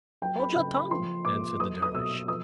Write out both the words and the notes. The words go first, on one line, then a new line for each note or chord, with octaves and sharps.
"Hold your tongue," answered the Dervish.
F#3 G5
B5
C#3 B5
B5
F3 C6
A#2 D6
F#3 D#6
D#6
B2 E6
F3 D#6